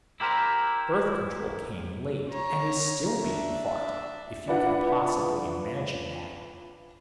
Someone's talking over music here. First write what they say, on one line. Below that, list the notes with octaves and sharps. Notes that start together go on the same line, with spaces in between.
Birth control came late and is still being fought--if you can possibly imagine that.
E4 G4 A#4 C5
C#5 A#5
D4 E5
D4 E4 F4 B4 D5 F#5